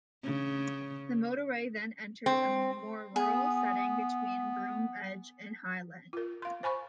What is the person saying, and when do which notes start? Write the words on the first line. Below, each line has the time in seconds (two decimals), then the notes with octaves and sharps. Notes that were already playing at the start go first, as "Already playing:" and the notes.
The motorway then enters a more rural setting between Broomedge and High Legh.
0.24 C#3
2.26 C4
3.16 B3 G#4
6.13 F4 A#4
6.42 F5 C6
6.63 C5 G#5 B5 C#6